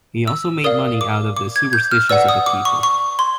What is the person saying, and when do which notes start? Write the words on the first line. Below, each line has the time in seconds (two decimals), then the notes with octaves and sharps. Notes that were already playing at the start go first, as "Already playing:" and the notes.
He also made money out of the superstitions of the people.
0.27 E6
0.64 A#4 D5 F5 D#6
1.01 D6
1.37 D6
1.56 G#6
1.73 G6
1.91 F6
2.09 B4 D5 F#5 E6
2.29 D#6
2.46 D6
2.65 C#6
2.83 C#6
3.19 C6